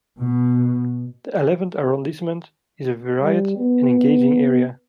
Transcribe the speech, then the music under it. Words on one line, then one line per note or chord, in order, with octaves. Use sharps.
The eleventh arrondissement is a varied and engaging area.
B2
G3
B3